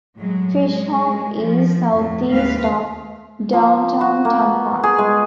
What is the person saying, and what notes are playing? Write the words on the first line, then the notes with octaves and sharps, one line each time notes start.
FishHawk is southeast of downtown Tampa.
A2 F#3 G#3
G#3
F3
F2 A2
D#2 G#3 C4 B4 F5
F3
F#4
A#3
B3
G#4
G#3